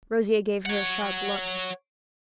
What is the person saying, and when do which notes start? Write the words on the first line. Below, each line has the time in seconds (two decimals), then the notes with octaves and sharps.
Rosier gave her a sharp look.
0.66 C#5 F#5